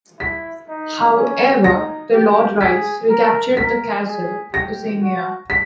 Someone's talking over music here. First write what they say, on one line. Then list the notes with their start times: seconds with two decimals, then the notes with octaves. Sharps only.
However, the Lord Rhys recaptured the castle the same year.
0.19 E4 B6
0.68 D#4
1.15 C#4
1.64 D#4 A#6
2.13 G4
2.61 G#4 B6
3.10 A#4
3.57 A#4 B6
4.06 G#4
4.53 G4 A#6
5.01 F#4
5.50 B6